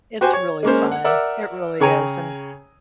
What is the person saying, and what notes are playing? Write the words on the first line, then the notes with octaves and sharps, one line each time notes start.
it's really fun, it really is, and
F#4 G4 C5 G#5
C#5
G#3 A#3 C#4 C5
F#5
A#4 D5 E5 F#5 E6
C#3 G#4 C#5 G5 A#5 D#7